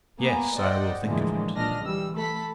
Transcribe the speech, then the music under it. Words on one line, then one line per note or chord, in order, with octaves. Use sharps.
"Yes; I will think of it."
A#3 B3 G#5 A#5
C5 D5 D#5 F#5 G5
A2 D3 E3 F3 G#3 A#3
B1 A#2 D4 D#5 F6 A#6
E3 G3 E6
A3 A4 B5 B6